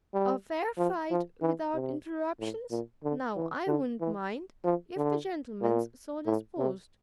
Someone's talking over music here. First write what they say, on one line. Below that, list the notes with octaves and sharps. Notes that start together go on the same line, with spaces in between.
"A fair fight without interruptions, now, I WOULDN'T mind, if the gentleman's so disposed."
G3
F3
F3
E3
C3
A2
A#2
D3
E3
D3
E3
F3
D3
A#2
A2
C3